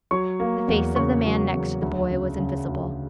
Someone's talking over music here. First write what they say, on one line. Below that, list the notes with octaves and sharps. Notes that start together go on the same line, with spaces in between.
The face of the man next to the boy was invisible.
F#3 C#5 C#6
A#3
E2
C#3 C#5 C#6
F#3
E2
D2
C#3
C#3
D2